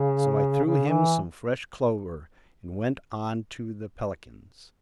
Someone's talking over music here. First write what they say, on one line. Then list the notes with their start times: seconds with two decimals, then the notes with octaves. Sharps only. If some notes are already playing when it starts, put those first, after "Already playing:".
So I threw him some fresh clover, and went on to the pelicans.
Already playing: C#3
0.64 C#3
0.91 E3